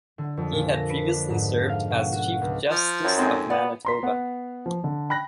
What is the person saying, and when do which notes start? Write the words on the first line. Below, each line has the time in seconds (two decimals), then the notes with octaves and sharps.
He had previously served as Chief Justice of Manitoba.
0.18 D3
0.37 F2
0.52 A#2
0.74 A#6
0.90 B4
1.08 D4
1.29 G#2
1.69 F5
1.91 B2
2.13 F#4
2.42 C#2
2.69 F3
3.04 F#2
3.17 F2 G#3 C4 D#4
3.50 B3 D5 G#5
3.85 A#5 C6 B6
4.03 B3 F#5
4.66 F3
4.84 D3
5.10 G5 B5 F#6 A#6